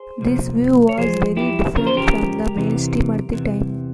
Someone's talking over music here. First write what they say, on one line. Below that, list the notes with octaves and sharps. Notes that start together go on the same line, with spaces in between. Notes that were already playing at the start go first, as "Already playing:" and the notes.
This view was very different from the mainstream at the time.
Already playing: G#4 C5
C2 A#2 F3
C#5
E2 C#3 F3 G#4 C5
E4 G4
E2 C#3 F3 A#4
C5
G4 A#4
E2 C3 E3
E2 C3 E3